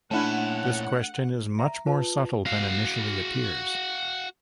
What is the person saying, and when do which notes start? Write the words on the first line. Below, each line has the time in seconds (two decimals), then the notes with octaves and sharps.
This question is much more subtle than initially appears.
0.11 A#2 A3 C#4 D4 E4 F#5 A5
1.59 E5 A#5
1.86 F4 B4 A5
2.46 F#4 F5